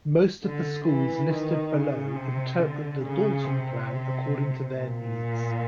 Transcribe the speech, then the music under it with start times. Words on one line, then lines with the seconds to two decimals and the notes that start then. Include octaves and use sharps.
Most of the schools listed below interpret the Dalton Plan according to their needs.
0.44 D3
0.88 E3
1.30 D#3
1.73 C#3
2.16 C3
2.59 D3
3.03 C#3
3.45 C3
4.74 A#2